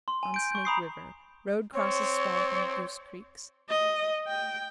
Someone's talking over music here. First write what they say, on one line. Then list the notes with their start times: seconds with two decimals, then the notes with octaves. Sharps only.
On Snake River.--Road crosses Swamp and Goose Creeks.
0.08 C6
0.23 G#5
0.34 G6 D7
0.52 C#6 G6
0.65 A#5 B5 D#6 C7
1.74 C4 C#5
3.69 D#5
4.27 G5